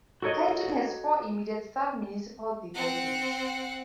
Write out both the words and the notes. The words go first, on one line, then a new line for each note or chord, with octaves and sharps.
Panjin has four immediate sub-municipal divisions.
F#4 A4 A#4 C#5 D#5
C4 F#5